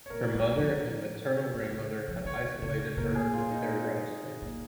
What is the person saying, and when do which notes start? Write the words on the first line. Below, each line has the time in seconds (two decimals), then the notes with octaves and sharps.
Her mother and maternal grandmother had isolated her and terrorized her.
0.06 C#5
0.10 A#2 A#4
0.35 G#3
0.58 F3
1.54 D#3
1.72 C#3
2.08 F3
2.25 D#3 C#5
2.62 C#3
2.97 A#2 A#4
3.15 G#4
3.33 F4
3.51 D#4
4.42 A#2